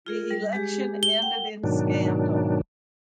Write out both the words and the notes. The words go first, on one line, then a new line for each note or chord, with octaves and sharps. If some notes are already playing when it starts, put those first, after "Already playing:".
The election ended in scandal.
F4 G#4 A#4
G3
G#3 G4 G#4
G7
F#5 G5
G#2 B2 D#3 F#3 D4